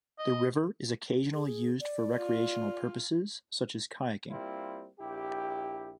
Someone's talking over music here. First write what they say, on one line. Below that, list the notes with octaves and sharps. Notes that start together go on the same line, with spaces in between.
The river is occasionally used for recreational purposes, such as kayaking.
D#5
G#4
D5
F4
G3 A#3 C4 E4 F4
A#1 E4 G4